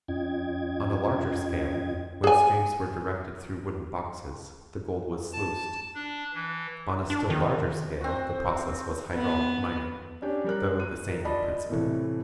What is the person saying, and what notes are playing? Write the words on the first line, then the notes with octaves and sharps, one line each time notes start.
On a larger scale, when streams were directed through wooden boxes, the gold was sluiced; on a still larger scale, the process was hydraulic mining, though the same in principle.
F2 C#4 F4 D#5 G5 G#6
G#4 G#5
A5
D4
E3
D4
D#3
C4 F#4
B3
C#4 D4 G4 D5
G3 A#4 F#6
D#7
A#4
F4 D5 D#5 A5 B5
A2 C3 E3 A3